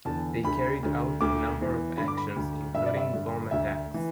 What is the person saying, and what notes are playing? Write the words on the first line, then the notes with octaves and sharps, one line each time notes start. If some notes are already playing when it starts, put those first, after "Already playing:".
They carried out a number of actions, including bomb attacks.
E2 D3 A5
D2 D3 B5
D2 D3
D2 D3 D6
E2 E3
G2 D3 B5
D6
B5
D2 D3
G2 D3 E5
D5
E5
G2 D3
D2 D3 E5
E3